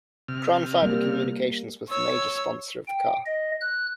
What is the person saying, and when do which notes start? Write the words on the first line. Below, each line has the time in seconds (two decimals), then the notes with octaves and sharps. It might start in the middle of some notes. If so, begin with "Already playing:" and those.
Crown Fiber Communications was the major sponsor of the car.
0.28 C3 F6
0.82 G3 A#3
1.90 C#5 E6
2.87 G5
3.26 D#5
3.61 F#6